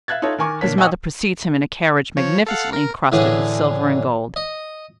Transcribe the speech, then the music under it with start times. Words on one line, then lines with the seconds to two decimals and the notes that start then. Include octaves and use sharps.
His mother precedes him in a carriage magnificently encrusted with silver and gold.
0.08 E5 F5 F#6 G#6 A6
0.22 D#4 F4 A4 C#5 E5
0.38 D#3 A#4 G#5 C#6 D6
0.61 A#2 A#3 D4 C#5 B6
0.78 D#5 G5 G#5 C#6 D#6 E6
2.17 F3 C#5
2.47 A4 F5 F#5
2.73 A#4
3.12 A2 D3 E3 G#4
4.36 D#5